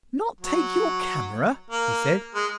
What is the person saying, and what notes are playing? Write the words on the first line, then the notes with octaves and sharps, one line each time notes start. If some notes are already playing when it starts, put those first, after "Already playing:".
"Not take your camera!" he said.
F#3
A#3
G#3